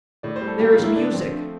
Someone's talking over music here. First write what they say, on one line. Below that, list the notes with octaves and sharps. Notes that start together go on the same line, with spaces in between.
There is music.
A2 D5
C5
G3
A4
A#3 G4
F4
A2
E4
D3 D4
F3 C4
A3